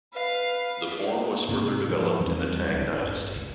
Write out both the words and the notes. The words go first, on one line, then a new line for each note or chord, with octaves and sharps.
The form was further developed in the Tang Dynasty.
B4 F5
G#2 C3 A#3 C4
F3
E2 E3 G3 C4
D1 C#2 D3
G1
C#2